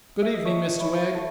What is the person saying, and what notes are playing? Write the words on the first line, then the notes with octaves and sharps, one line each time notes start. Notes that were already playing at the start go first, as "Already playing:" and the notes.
'Good evening, Mr Wegg.
E5
D#5
A3 C#5
E4 C#5
A3